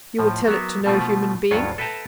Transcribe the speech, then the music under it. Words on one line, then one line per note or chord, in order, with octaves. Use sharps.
"You will tell it to no human being?"
A2 F3
F#3 A#3 B3 E5
B2 F3 A3 F4
D2 G2 F#3 F4 C#5 G#5
A4 B4 E5 G5 A5 A#5